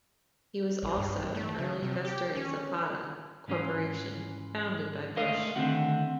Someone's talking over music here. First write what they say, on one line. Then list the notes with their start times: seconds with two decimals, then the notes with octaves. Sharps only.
He was also an early investor in Zapata Corporation, founded by Bush.
0.83 A#1
0.97 G2
1.35 A3
1.59 C#3
1.82 C3
2.05 G4
2.36 C#4
3.48 G#2 E3 C#4 F4
5.16 G#3 A3 A#4 D#5 F5
5.56 D3 D#3 A3 C4 F4 F#5